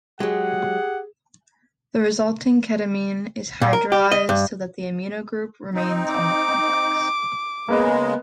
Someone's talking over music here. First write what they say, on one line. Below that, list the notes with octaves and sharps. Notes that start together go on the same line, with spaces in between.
The resulting ketimine is hydrolysed so that the amino group remains on the complex.
F#3 G#3 G4 G#4 F#5
A#2
A#4
G4
D#5
G2
C4 D#4
D6
C#3 G#3 A#3 B3 D#5